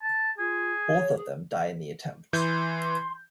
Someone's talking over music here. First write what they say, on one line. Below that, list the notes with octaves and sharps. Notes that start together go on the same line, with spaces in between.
Both of them die in the attempt.
A5
F4 G#4
C#5
G#4
E3 C6 G6